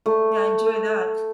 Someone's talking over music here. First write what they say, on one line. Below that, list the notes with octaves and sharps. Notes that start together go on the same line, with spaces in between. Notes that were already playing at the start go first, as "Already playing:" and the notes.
Yeah, I enjoy that.
A3